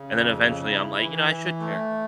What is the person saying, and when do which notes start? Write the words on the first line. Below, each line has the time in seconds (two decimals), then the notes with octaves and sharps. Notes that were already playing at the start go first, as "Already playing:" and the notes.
and then eventually I'm like, "You know, I should care."
Already playing: C#3
0.11 F2
0.41 C#3
0.70 E4
1.00 E3
1.30 E3
1.60 A3